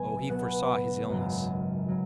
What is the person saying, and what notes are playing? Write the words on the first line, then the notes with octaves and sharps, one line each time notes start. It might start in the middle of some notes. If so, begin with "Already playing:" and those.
Oh, he foresaw his illness!
Already playing: C#2 B2 F#3 B3 G#5
E5
C#2 B2 F#3 B3 F#5
G#1 F#2 C#3 F#3
C#3 F#3